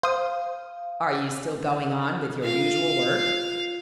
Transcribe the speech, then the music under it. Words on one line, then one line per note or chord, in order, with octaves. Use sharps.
"Are you still going on with your usual work?"
C5 F5 D#6
F4 F5